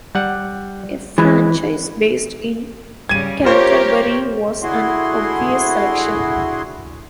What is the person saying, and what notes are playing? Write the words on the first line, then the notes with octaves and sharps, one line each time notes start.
A franchise based in Canterbury was an obvious selection.
G3 F#5
E3 G#3
C#3 G3 G#6 D#7
F4 G4 A#4 C5 C#5
D3 E4 F#4 G#4 C6